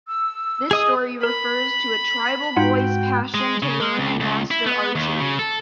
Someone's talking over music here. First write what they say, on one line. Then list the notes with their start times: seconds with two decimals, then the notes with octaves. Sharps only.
This story refers to a tribal boy's passion to learn and master archery.
0.08 E6
0.71 G#4 D#5 D#6
1.23 A#4 B5
2.57 G#2 D#4 F4 F#4 F#5 G5
3.34 G#3
3.63 C#3
3.81 G#3
3.98 C#2
4.20 C#2
4.51 E4
4.66 B3
4.95 D#2
5.20 C#3
5.39 A4